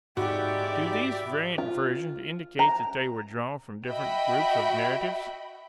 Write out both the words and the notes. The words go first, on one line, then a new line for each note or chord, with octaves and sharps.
Do these variant versions indicate that they were drawn from different groups of narratives?
G#2 F#4 G4 D5 E5 B5 D6
F4
A#5
F#4 D#5 E5 G5 B5